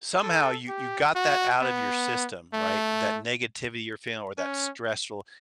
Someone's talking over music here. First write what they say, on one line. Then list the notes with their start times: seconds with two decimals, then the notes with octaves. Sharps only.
somehow you you got that out of your system, right? That negativity you're feeling or that stressful
0.23 A4
0.68 G4
1.15 F#4
1.61 B3
2.53 A3
4.38 C#4